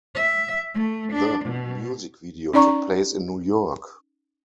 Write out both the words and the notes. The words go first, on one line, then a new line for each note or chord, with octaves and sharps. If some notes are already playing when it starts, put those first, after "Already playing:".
The music video took place in New York.
E5
A3
D4
B2
C#4 D#4 D5 A#5 C#6